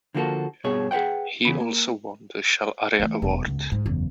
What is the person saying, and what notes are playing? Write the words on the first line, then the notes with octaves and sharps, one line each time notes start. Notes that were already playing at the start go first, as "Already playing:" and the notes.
He also won the Shell Aria Award.
D3 F3 A#3 C4 F#4 A4
G2 B2 G#4 C#5
G#4 B4 C#5 F#5 G5
E2 C#3 B5
A#3
E3 A3
E1 F#2
G1 C#2
G#2
F#1 E2